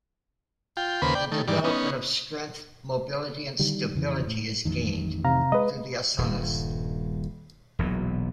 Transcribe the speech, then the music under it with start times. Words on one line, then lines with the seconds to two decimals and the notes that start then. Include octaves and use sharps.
The development of strength, mobility and stability is gained through the asanas.
0.77 F4 G5
1.02 D#2 C#3 A#3 B4 C5 B5
1.15 D5 G5
1.32 D#3 A3
1.48 G#2 D#3 E3 G3 D5
1.64 B3 C#4 D#4
3.59 D3 D#3 G3
3.95 F2 C#3 E3
4.27 A2
4.65 A1 F2 D#3
5.24 C3 F5 A#5
5.52 G#3 B4 D#5
6.18 D#1 G2
7.79 E1 B1 A#2 F#3